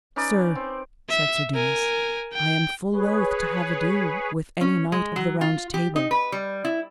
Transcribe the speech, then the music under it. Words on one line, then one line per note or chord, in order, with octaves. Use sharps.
Sir, said Sir Dinas, I am full loath to have ado with any knight of the Round Table.
C#4 D#4 B4 D5
C4
E5
A#4 G#5
G5
G#4 B4 C#5
C#4
G#3
F#3
F4
G4
D#4
B4
G3
E4